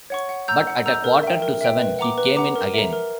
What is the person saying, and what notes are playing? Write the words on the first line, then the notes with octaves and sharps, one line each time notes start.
But at a quarter to seven he came in again.
C#5 F#5 C#6
F#5
A#5 E6 G6
F#5
A#5 E6 G6
A#4
E5 G5
A#4
E5 G5
B4
F#5 A#5 D6
B4
F#5 A#5 D6
A#4
E5 A#5
A#4